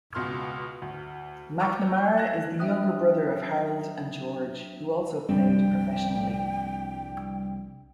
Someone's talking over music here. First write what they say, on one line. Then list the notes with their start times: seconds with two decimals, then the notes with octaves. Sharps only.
McNamara is the younger brother of Harold and George, who also played professionally.
0.14 C#2 B2 C6 F6
0.82 D2
1.59 A#5 C#6 D6 E6 F6 G6
2.18 F#6 G#6 A#6
2.59 F#3 D4 E5 G5 D#6 F#6
5.29 C2 G2 F3 C4 G5